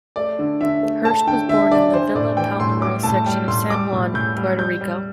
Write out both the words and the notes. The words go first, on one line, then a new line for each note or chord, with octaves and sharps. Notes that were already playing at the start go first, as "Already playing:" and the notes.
Hurst was born in the Villa Palmera section of San Juan, Puerto Rico.
A3 D5
D3
D3 E5
A3
A3 A5
D3 G5
D3 E5
D3 D5
E3 C5
A2 D5
E3 G5
A2 C6
G3 D6
A2 A5
G3 G5
A2 C6
G3 D6
A2
A2 G6
G3
G3 G6
G3